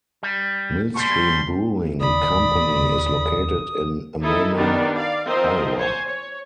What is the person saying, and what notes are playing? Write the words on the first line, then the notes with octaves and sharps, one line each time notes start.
Millstream Brewing Company is located in Amana, Iowa.
G3
B2 G3 C6
E1 D#2 D#3 D5 B5 D#6
D#4 E4 A4 D#5 E5
D#3 B3 D4 G4 D5
D5 F5
F3 C4 A#4 C5 D#5 E5
C5 C#5 G#5
C#5